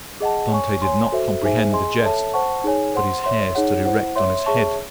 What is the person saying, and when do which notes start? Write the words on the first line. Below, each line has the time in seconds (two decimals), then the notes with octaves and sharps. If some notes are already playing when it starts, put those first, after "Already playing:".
Dantes did not comprehend the jest, but his hair stood erect on his head.
0.20 G#4 D#5 F#5 A5
0.52 C#5 G#5 C#6
0.82 C#5 G#5 C6
1.12 F#4 A4 C5 E5
1.42 D#4 G#4 C5 E5 G#5
1.72 G#4 D#5 G#5 C6
2.03 A4 C#5 E5 A5
2.34 C5 F#5 A5 C#6
2.64 D#4 G#4 C#5 G#5
2.94 C5 F#5 C6
3.24 C#5 E5 C6
3.55 D#4 G#4 C#5 F#5
3.85 E4 C5 F#5
4.16 C#5 E5 C6
4.46 G#4 C#5 E5 A5 C#6